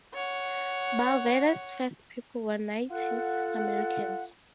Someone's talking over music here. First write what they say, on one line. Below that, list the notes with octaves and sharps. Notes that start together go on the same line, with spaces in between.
Bulverde's first people were Native Americans.
C#5 F#5
F4 A4 F#5